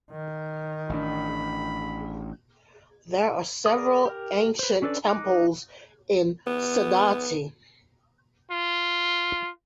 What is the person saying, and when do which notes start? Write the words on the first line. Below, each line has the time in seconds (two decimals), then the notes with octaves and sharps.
There are several ancient temples in Saudatti.
0.11 D#3
0.89 A1 D4 B5
3.66 G#4 A#4 D5 D#6
4.05 G4 A#4
4.59 B4 C5
4.82 C#4 D4 A4 B4 D5
5.06 D#4 D6 F#6
6.47 B3
8.51 F4